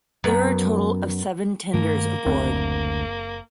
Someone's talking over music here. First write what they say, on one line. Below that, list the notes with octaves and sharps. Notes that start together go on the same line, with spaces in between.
There are a total of seven tenders aboard.
F#2 B3
G2 D#3 A3 A#3
F#1 D2 C4